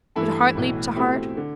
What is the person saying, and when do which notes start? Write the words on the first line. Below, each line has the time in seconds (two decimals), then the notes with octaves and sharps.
Did heart leap to heart?
0.16 G2 E3 A3 E4 A4
0.55 B1 A2 E3 A3 E4
0.95 B2 A3 C4 E4 G4
1.37 D3